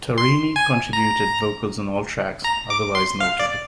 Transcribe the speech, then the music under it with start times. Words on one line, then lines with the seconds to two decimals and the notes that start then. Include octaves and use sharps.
Torrini contributed vocals on all tracks, otherwise noted.
0.18 C6
0.56 G#5
0.93 A#5
2.44 A#5
2.70 D6
2.95 C6
3.21 F5
3.40 D5